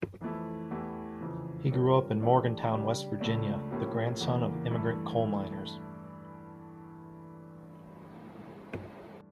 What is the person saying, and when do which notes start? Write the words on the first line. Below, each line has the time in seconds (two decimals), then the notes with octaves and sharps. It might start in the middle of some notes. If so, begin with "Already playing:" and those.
He grew up in Morgantown, West Virginia, the grandson of immigrant coal miners.
0.21 F2 E3 A3 E4
0.71 E2 E3 A3 E4 G4
1.21 F2 C#3 E3
1.71 G2 F3 C#4 G4 A#4
2.21 E3 A3 D4 G4
2.71 C#3 G3 D4 G4
3.21 C#2 C#3 F3 A3 D4
3.71 A2 F3 A#3 C#4 G4
4.20 E2 C#3 E3 A#3
4.70 G2 E3 A3 E4 A4